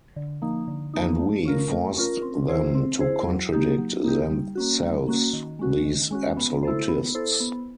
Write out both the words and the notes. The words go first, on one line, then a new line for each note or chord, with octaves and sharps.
And we forced them to contradict themselves, these absolutists!
D3
F3 A#3 D#4
D3
F3 A#3 D#4
A3
C#4 F4 A#4
A3
C#4 F4 A#4
C4
E4 G#4 C5
C4
E4 G#4 C5
F#3
A#3 D#4 G4
F#3
A#3 D#4 G4
G3
A#3 C#4 F#4
G3
A#3 C#4 F#4
D#3
G#3 C#4 F#4
D#3
G#3 C#4 F#4
B3
E4 A4 C5
B3
E4 A4 C5
B3